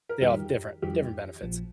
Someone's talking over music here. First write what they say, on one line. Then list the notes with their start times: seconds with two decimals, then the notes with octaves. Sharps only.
they all have different different benefits.
0.09 A#4
0.21 F2 D#3 G3 G4
0.82 F2 D#3 G3 G4
1.42 A#1 A#2 F3